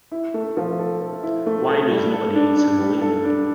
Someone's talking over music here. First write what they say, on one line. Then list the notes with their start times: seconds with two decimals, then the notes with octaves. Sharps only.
Why does nobody eat semolina?
0.12 E4
0.34 A3
0.57 F3
0.79 A4
1.01 A4
1.23 E4
1.46 A3
1.69 A4
1.90 G3
2.13 A4
2.36 D4
2.57 D4
2.79 G3
3.02 A4
3.25 D4